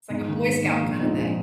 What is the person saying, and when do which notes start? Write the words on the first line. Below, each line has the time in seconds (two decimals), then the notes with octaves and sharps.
It's like a Boy Scout kinda thing.
0.10 G#2
0.28 D#3 A#3
0.46 G#2
0.64 D#3 A#3
0.82 A#1
0.99 G#2 F3 C4 D#4
1.18 A#1